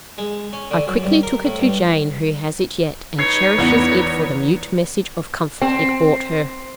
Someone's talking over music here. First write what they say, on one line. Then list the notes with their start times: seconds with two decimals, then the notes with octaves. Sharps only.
I quickly took it to Jane, who has it yet, and cherishes it for the mute message of comfort it brought her.
0.18 G#3
0.53 C#4
0.71 D3
0.87 F#2
1.03 G2
1.23 A#4
1.45 A2
1.59 G2
3.19 D#4 B4 C#5 G#6 C7
3.58 E2 B3 C#7
5.62 C4